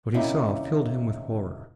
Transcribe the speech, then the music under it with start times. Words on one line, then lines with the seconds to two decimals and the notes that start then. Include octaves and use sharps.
What he saw filled him with horror.
0.14 D#2 C3 C#4 D#4 E4 D#5